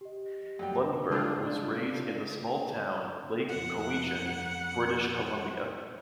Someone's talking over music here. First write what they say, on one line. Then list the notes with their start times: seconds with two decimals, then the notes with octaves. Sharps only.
Lundberg was raised in the small town Lake Cowichan, British Columbia.
0.01 G4 D#5
0.59 F#2 G3 G5
1.10 C#3 G#3 D4 F4
3.49 F2 F#5